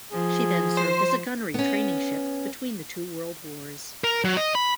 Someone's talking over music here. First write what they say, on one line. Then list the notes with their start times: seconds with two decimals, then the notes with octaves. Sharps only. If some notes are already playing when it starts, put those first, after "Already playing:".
She then served as a gunnery training ship between the two world wars.
0.12 F3 G#4
0.77 C5
1.54 B3 C#4
4.04 A#4
4.25 F#3
4.37 D#5
4.55 B5